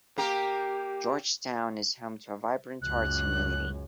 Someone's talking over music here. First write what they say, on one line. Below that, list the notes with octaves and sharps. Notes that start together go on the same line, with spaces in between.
George Town is home to a vibrant arts community.
A#3 G4 A#4
C#2 F#2 F#6